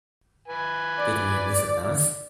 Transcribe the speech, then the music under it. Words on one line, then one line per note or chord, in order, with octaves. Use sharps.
Did we miss a dance?
B4 G#5
D5